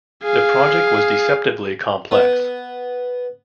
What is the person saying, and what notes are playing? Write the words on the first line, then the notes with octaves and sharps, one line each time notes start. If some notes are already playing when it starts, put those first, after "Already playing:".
The project was deceptively complex.
G#4 F5
B3